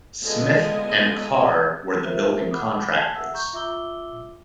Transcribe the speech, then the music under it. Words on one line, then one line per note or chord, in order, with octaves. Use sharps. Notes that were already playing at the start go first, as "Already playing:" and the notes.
Smith and Carr were the building contractors.
D3 G#3 B3 F4 D#5 G#5
F4 A#4 C5 E5
F#5 B5 D6 D#6
G#5 A5 G#6 B6 C7
E5 F#5 E6
A#5 C#6 G6
F4 E5 D6 E6 G7